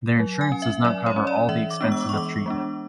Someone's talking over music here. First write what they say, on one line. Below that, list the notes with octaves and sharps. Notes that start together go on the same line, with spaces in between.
Their insurance does not cover all the expenses of treatment.
F#3
G#5
C#4
E5
F#3 D5
C#5
C#4
D5
E3 E5
D6
G#3 B3 D4
E6
D6
C#6
E3 D6
G#3 B3 D4